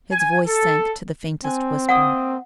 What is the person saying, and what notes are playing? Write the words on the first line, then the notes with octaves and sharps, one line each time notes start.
His voice sank to the faintest whisper.
G#5
A4
C4 G#5 F#6
A#3 D#5 F#5 D#6